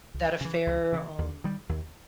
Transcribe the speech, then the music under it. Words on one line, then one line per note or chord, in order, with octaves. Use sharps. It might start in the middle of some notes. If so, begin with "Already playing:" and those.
that a fair, um,
C#2
C#3 E3
C#2
C#3 E3
D#2
D#3 G3
D#2